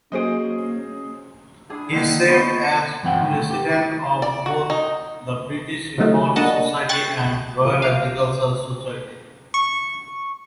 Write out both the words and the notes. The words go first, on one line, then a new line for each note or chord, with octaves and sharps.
He served as president of both the British Horse Society and Royal Agricultural Society.
F#3 A#3 C#4 F#4 G#4 C5 D#5
D4 E4 G#4
D3 D#3 A#3
B3 C#4
F#2 E3 C4 F#5 G5
G#2 D3 D#3
A3
G4
D5
F#4
D#4
C3 D#3 F#3 A3 D#4 F4
A#3 D4 D#5 F#5 A5
G5 C#6 F#6 A6
A#1
F5
C#6